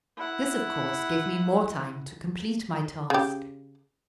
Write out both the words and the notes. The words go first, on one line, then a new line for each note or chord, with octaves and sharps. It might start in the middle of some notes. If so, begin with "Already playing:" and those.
This, of course, gave me more time to complete my task.
E4 F#5
C#3 G4